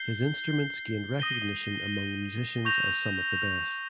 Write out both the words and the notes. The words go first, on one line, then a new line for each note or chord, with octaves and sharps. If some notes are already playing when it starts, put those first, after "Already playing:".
His instruments gained recognition among musicians as some of the best.
Already playing: G6 C7 G7
D#6 A#6 D#7 G7
C#6 G6 A#6 F7